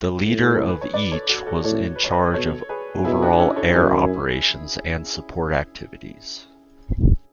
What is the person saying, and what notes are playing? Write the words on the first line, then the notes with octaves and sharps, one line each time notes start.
The leader of each was in charge of overall air operations and Support activities.
A2
G#4
A4
B4
C#5
B4 D5
A4 C#5
F#4 A4
F#4 A4
A2 A4 C#5
B4
C#5
B4 D5
B2 A4 C#5
G#4 B4
B2 E4 G#4
D4 F#4
C#4 E4
A4 C#5
F#2 E4 G#4